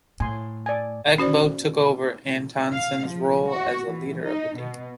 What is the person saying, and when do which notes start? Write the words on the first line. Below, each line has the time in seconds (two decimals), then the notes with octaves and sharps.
Eckbo took over Antonsen's role as the "leader" of the team.
0.20 A2 G#5 C6
0.66 D5 G#5
1.18 C#4 F#4 C5 D5
2.72 F5
3.07 F3
3.47 F#4
3.85 E3
4.22 D#4
4.57 B2